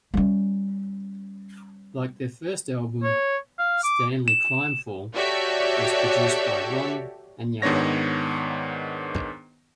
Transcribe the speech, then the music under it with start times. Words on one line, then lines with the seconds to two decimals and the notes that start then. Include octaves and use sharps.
Like their first album, "Stanley Climbfall" was produced by Ron Aniello.
0.14 G3 C#4
3.04 C#5
3.58 F5
3.84 D6
4.28 E7
5.15 F#4 G4 A4 C#5 D5 E5
7.62 G#2 D#3 B3 D4 C#5 A#6